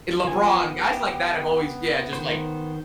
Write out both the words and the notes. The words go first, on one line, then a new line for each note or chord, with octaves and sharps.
LeBron, guys like that have always yeah, just like,
F3 B3 G#5
G4
D#3 C5